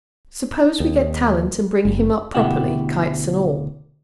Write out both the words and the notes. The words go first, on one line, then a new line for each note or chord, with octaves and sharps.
Suppose we get Talent, and bring him up properly, kites and all.
D#2
F#1
D2 B2 E4 G4 F#5